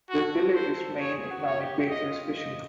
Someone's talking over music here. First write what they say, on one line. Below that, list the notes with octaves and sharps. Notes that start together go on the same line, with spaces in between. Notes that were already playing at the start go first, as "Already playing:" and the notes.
The village's main economic base is fishing.
F#4 A4
A4 C5
G#4 C#5
F#4
C#5
G4
F4 D#5
D#5